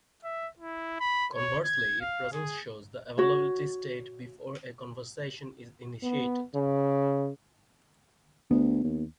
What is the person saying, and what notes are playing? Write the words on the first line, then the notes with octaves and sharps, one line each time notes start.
Conversely, Presence shows the availability state before a conversation is initiated.
E5
E4
B5
C#5
G#6
F5
G#4
F#4 C#5
B3
C#3
D2 B3
D#2